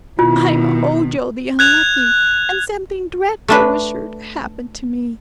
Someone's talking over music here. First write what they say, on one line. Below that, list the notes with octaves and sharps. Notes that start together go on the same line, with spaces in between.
"I'm Ojo the Unlucky, and something dreadful was sure to happen to me."
B2 D#3 E4 F4
F#6 G#6 F7
A3 D4 B4